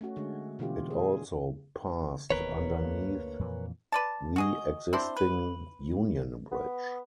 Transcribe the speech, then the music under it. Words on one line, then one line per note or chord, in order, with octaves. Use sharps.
It also passed underneath the existing Union Bridge.
A3 C#4 F#4
D3 G#3
B2 D3 E3 F4 G4
G#4
E1 D#2 B2 A#4 B4 C#5
D2 A#3
F2 A#2 E3
B4 D5 A5
F#4 G#4 D#5
C4 D4 E4 C5
B4
B3